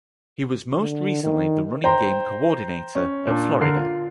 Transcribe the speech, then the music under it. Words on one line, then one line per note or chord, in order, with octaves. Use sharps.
He was most recently the running game coordinator at Florida.
D3
D#3
C5 G5 A#5 C6
C#4
A#2 D4
D3 A#4 C7
F4